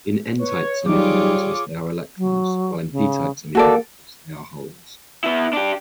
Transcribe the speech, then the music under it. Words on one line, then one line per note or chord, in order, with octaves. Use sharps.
In n-type semiconductors they are electrons, while in p-type semiconductors they are holes.
B4 C#5
F#3 G3 D#4 F4 G#4 C#5 D6
F#3
C#3
A#3 F#4 A4 D5
B3 E4
D4 G4